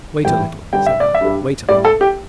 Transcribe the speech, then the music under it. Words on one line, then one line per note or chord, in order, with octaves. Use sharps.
"Wait a little," said I, "wait a little."
A2 E3 G3 G5
G2 D3 G3 G5
E5
D5
E5
G2 G3
A2 G3 D5
A4
G4